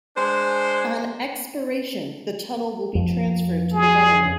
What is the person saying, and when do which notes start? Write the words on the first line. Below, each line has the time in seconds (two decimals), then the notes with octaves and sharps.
On expiration, the tunnel will be transferred to the Government.
0.17 G#3 D4 C5
2.95 F2
3.73 G#4